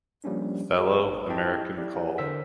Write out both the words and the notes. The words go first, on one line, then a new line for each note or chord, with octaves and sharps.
Fellow, American Coll.
F3 G3 A#3 C#4 D4
G#4
G#1
E4 G4 D#5 G5 A5
E4 G4 D5
D3 A#4 C5 E6 B6